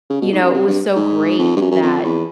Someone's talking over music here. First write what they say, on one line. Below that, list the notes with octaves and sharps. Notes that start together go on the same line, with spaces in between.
you know, it was so great that
C#3
B2
G#2
F#2
C3
G2
G#2
F2
G2
F#2
F#2
F2
E2